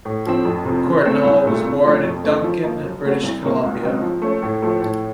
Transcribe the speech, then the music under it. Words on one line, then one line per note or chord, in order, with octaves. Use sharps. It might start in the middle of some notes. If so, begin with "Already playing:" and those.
Courtnall was born in Duncan, British Columbia.
A2
F3 C4
F2
C3 F3
C#3
A3 C4
C2
A#2 A3
C3
F3 A3 C#4
F2
C#3 A3
F3
A#3 D#4
F#2
C#3 A3 C4 F#4
C2
C3 D#3 A#3
C#2
C#3 F#3 C4 D#4
F3
A3 C#4
A2
F3 A3
A2